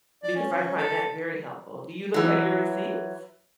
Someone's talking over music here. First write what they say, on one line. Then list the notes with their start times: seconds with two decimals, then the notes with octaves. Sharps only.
Because I find that very helpful. Do you look at your receipts?
0.24 D5
0.36 C#4
0.54 C#4
0.77 A4
2.14 E3 F#3